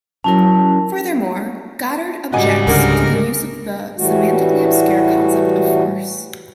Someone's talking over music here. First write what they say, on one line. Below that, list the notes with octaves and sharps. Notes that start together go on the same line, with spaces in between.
Furthermore, Goddard objects to the use of the "semantically obscure concept of force".
F#3 C#4 E4 A#4 A5
G#2 C#3 G3 F#4 D#5 G#5
C#2 D3 A#4
A2 E3 G3 A3 F#4